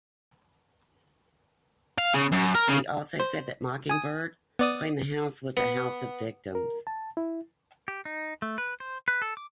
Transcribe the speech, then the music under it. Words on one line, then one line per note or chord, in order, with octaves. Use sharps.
She also said that Mockingbird claimed the House was a house of victims.
F5
C#3
F#2
A#4
C#3
C5
G#5 D#6
B3 D5 D#6
B3
A#4
A5
E4
G4
D#4
A3
B4
C5
B4
A4
D6